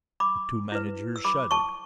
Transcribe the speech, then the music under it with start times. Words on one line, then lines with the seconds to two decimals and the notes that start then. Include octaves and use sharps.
The two managers shuddered.
0.20 B5 D6
0.72 E4 B4
1.16 E6
1.25 B5 D6
1.51 A5 C#6